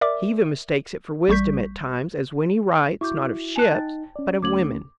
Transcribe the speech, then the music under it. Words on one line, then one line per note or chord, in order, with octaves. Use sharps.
He even mistakes it for wisdom at times, as when he writes, not of ships, but of women.
A#4 D5 E5 D6
A1 G3 C#6 G6 B6
E4 F#4 C#6 D6 G6
G#5 A5 F#6
D#4 G5 A6
C#4 D5
D2 A3 C#4 D6 G#6 F#7